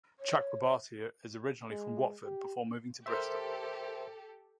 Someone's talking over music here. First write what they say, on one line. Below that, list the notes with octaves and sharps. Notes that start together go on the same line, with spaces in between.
Chakrabarti is originally from Watford before moving to Bristol.
C#5
G#3
G4
G4 A4 A#4 C5 E5